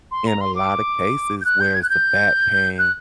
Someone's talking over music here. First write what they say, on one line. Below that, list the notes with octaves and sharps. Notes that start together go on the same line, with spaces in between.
in a lot of cases where it's the back pain
C6
A#5
C6
D6
G6
F#6
G6
G#6
F#6
G6
F#6